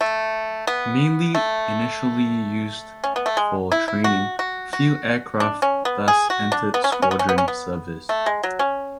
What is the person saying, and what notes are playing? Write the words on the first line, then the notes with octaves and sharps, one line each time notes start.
Mainly initially used for training, few aircraft thus entered squadron service.
A3
B3
A3
C#4
B3
A3
G#3
E4
E4
F#4
F#4
F#4
D4
C#4
B3
G#4
F#4
D4
B3
C#4
B3
C#4
B3
C#4
B3
C#4
B3
A3
G#3
F#3
C#4